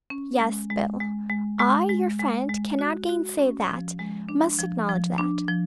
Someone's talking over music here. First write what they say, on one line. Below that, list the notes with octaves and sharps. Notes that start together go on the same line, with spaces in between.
Yes, Bill; I, your friend, cannot gainsay that, must acknowledge that.
C#4
G#3
G#3
G#3
G#3
G#3
G#3
G#3
G#3
F#4
F#4
C#4
F3
G#3
D4
F3
F3
D4
F3